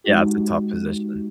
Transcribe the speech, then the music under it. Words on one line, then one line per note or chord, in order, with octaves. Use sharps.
Yeah, it's a tough position.
G#3 D#4 F#4 G4